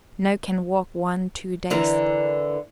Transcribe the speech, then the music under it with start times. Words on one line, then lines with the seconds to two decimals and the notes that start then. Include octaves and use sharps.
No can walk one, two days.
1.70 D3 E3 A#4